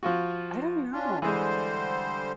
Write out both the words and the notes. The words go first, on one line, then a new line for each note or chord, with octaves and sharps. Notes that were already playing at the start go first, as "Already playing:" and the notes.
I don't know.
F3 F4 F#4
C#4 D4 F4
D3 E3 G3 G#3 C5